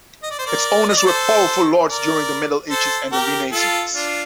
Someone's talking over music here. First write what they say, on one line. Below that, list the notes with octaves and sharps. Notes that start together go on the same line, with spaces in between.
Its owners were powerful lords during the Middle Ages and the Renaissance.
D#5
D5
C5
A#4 D5
D#5
D5
A4 C5
A#4 D5
A4 C5
G4 A#4
F4 A4
D4 F4